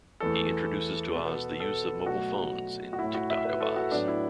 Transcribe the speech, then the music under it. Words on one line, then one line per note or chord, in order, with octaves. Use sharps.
He introduces to Oz the use of mobile phones in Tik-Tok of Oz.
E2 E3 A3 A4
B2 B3
A4
B2 F#3 A3 F#4
F#4
A2 A3 E4
F#4
E5
B4
A4
F#4
A2 F#3 B3 D4
E4